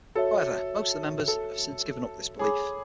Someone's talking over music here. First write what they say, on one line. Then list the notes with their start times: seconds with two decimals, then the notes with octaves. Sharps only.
However, most of the members have since given up this belief.
0.15 F#4 A4 C#5 E5
1.28 A4
2.39 G#4 C#5 G#5 B5 D6